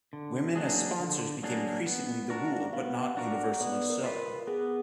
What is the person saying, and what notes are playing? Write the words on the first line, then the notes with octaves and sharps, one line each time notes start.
Women as sponsors became increasingly the rule, but not universally so.
D3
F#3 A#3 D4 G#4
D3
F#3 A#3 D4 G#4
B3
D4 F#4 A#4
B3 F5
F#5
D4 F#4 A#4
F#5
B3 D5
A#4
F4 B4
A#4
B3 G#4